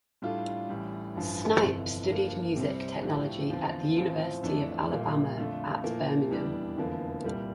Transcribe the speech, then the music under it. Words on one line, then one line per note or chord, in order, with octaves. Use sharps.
Snipe studied music technology at the University of Alabama at Birmingham.
A2 G3 D4 F4 A4
A1 A2 G3
A1 G2 F3
G1 F2 C3 E3
G2 F3 A#3
C2 C3 G3 C4 G4
A2 F3 A3 D4 G4
E2 D3 F3 C4
A1 A2 F3 C4 F4
F2 E3 A3 D4 A4
A#1 A#2 G3 A#3
F2 D3 A3 D4 F4
A#2 F3 A#3 E4
F1 E2 E3 G3 D4
F1 E2 D3 F3 A#3
C2 A#2 G3 A#3